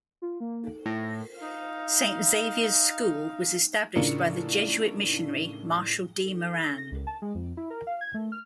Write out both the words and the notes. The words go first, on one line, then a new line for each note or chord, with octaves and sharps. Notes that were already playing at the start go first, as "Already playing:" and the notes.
Saint Xavier's School was established by the Jesuit missionary Marshall D. Moran.
F4
A#3
A2 A#6
D#4 F5
A2 C#3 D4 F4 A#4 C#7
E6
A#6
C#2
A5
G#3
F2
E4
A#4
F5
G#6
A3
F6